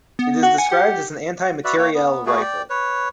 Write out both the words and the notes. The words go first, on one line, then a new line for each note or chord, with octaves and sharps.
It is described as an anti-materiel rifle.
B3
F#4
F#5 G#5
G4
F#4 B4 D5 E5
A#3 C#5 G5
B3
A3 B3 F#4 G#4
D5 G5
B4 C#5